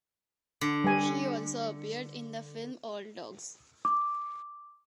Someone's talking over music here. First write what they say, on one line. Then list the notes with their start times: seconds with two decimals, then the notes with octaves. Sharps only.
She also appeared in the film "Old Dogs".
0.61 D3
0.84 G3 G#5
3.85 D6